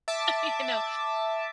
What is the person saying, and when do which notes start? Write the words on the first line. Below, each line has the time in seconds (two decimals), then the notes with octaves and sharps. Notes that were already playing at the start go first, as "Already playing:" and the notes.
you know,
0.08 E5 A5 D6